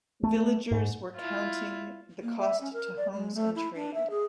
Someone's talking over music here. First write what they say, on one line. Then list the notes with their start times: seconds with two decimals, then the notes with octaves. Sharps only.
Villagers were counting the cost to homes and trade.
0.23 A3
0.71 G#2
1.16 E4 F4
2.22 A#3
2.39 E5
2.61 C#4
2.73 A#4
2.97 D5
3.13 G#3
3.35 A3
3.55 E4
3.75 D4
3.94 E5
4.10 G#4